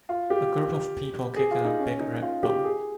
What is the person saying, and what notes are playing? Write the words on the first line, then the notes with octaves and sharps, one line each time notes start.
A group of people kicking a big red ball.
F4
G4
G#4
F4
D#4
C#4
D#4
F4
G4
G#4